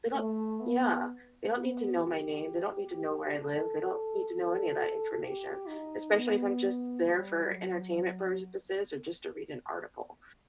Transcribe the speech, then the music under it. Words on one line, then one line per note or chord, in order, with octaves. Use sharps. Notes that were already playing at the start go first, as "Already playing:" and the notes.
they don't Yeah. They don't need to know my name; they don't need to know where I live; they don't need to know any of that information, especially if I'm just there for entertainment purposes or just to read an article,
A3
B3
B3
G4
G4
A4
A4
A4
G4
D#4
B3
G3
F#3